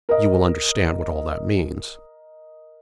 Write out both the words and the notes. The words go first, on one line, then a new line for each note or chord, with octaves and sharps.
You will understand what all that means.
A#4 D#5